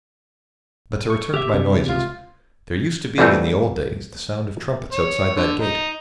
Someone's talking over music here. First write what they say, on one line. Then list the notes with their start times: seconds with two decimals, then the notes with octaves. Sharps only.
But to return to my noises; there used to be in the old days the sound of trumpets outside that gate.
1.06 A4 C#6
1.34 G4 E5 D6 E6
1.54 C3 D4
1.89 C#2 F4 C6
3.18 F2 D3 E3 G3 A3 C4
4.93 C#5
5.36 D3
5.61 D#4